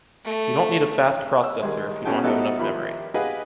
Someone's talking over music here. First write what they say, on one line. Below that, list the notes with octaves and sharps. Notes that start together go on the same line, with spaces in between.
You don’t need a fast processor if you don’t have enough memory.
A3
E6
D#3 G3 G#3
B3 C#4 F#4 G#4 G5 A5
G3 B3 D#4 E4 F#4 A4
D#3 F3 E4 G4 B5
G4 G#4 B4 D#5 F5 F#5